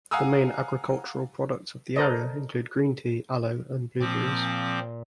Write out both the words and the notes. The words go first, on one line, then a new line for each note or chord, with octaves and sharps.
The main agricultural products of the area include green tea, aloe and blueberries.
F5 F#5 G#5 A#5 D#6 E6
A4 A#4 C5 D5 D#5
A#2 F3 C4 D6